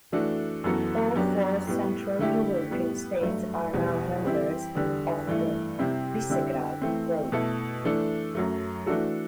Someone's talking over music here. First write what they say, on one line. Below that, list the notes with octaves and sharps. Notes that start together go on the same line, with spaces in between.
All four Central European states are now members of the Visegrad Group.
E3 A3 D4 F#4 A4
F#2 E3 B3 F#4 A4
F#2 F#3 B3 D4 G4
A2 G3 B3
D3 A3 E4 G4
A2 G3 B3
G2 F#3 A3
E2 B2 G3
E3 G3 C4 E4 G4
E2 D3 G3
G2 E3 A3
C3 G3 C4 E4
D3 G3 C4 E4
E3 A3 C4
B2 A3 E4 A4
E3 A3 D4 A4
F#2 F#3 A3
E3 A3 D4 F#4 A4